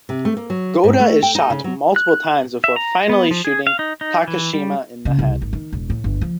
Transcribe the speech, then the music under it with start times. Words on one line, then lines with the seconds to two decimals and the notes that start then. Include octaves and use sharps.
Goda is shot multiple times before finally shooting Takashima in the head.
0.09 C3
0.25 A3
0.37 A#3
0.50 F#3
0.84 G#2
1.00 A3
1.23 G5
1.35 D#4
1.50 C#3
1.64 F#3
1.96 F#6
2.64 E5
2.76 A#5
3.09 B3
3.31 F3
3.45 G#4
3.67 F5
3.79 D#4
4.01 D#4
4.28 E3
4.53 G3
5.05 C#3
5.19 C2
5.42 G#1
5.53 D#3
5.72 E1
5.90 A2
6.04 G1
6.21 F3